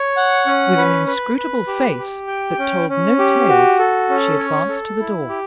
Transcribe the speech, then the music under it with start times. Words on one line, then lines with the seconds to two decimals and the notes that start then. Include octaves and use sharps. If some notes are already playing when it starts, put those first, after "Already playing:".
With an inscrutable face that told no tales, she advanced to the door.
Already playing: C#5
0.16 F#5
0.46 C#4
0.77 B4
1.07 B4
1.37 B4
1.67 G4
1.98 G4
2.28 G5
2.59 C#4
2.89 C#4
3.19 G4
3.49 F#4
3.79 A4
4.09 C#4
4.39 C#5
4.69 A4
5.00 E4
5.29 G4